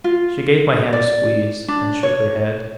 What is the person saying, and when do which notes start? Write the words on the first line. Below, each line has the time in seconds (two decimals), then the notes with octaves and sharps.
She gave my hand a squeeze, and shook her head.
0.04 F4
0.93 D5
1.68 D4
2.03 C#5